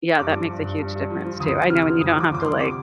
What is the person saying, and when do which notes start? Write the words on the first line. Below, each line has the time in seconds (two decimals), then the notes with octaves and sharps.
Yeah, that makes a huge difference, too. I know when you don't have to, like,
0.19 G2 D6
0.35 F3
0.50 G2
0.65 G2
0.80 G2
0.95 G2
1.10 F3
1.25 F3
1.40 D2 D#6
1.56 F3
1.70 C3 F6
1.86 F3
2.01 D2 D#6
2.16 F3 D6
2.31 D2 D6
2.41 C6
2.45 D2
2.60 C3 D6